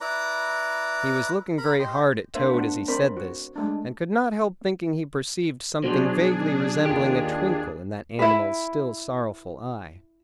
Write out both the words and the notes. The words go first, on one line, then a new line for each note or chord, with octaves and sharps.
He was looking very hard at Toad as he said this, and could not help thinking he perceived something vaguely resembling a twinkle in that animal's still sorrowful eye.
E4 B4 D5 A#5
A#4 A#5 B5
G4 C5 D#5
A#3 D4 C5 E5 F5
A3 B3 D4 F#5
C4 A#4 C5 D5 B5
F#4
G#3 A3 D4
B2 F#3 D4 F#4 G#4 C5
D#2 F4 G4
E4 B4